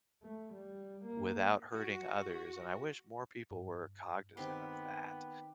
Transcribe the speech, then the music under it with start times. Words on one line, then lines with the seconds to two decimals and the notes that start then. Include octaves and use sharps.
without hurting others, and I wish more people were cognizant of that.
0.23 A3
0.54 G3
1.05 A#3
1.74 F#4
3.51 G2
4.37 D#3 B3 C4 G4 C6